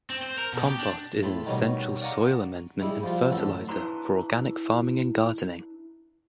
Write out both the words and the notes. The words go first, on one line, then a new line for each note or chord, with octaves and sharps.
Compost is an essential soil amendment and fertilizer for organic farming and gardening.
C4
C5
A#4
B2
G4
D4
A2 A5 B5 C6
B2 D#3 G3 C#4 F#4
D5 F5 F#5 G#5 A#5 C#6
G3 G#3 E4
F3 G3 F4
A1 F#2 D3 A4
D4 E4 B4 A5 A#5 C6